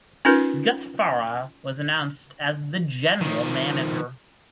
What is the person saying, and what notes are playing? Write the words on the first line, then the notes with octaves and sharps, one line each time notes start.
Gus Farah was announced as the General Manager.
C#4 D#4 F4 A#4 B4
D#3 F3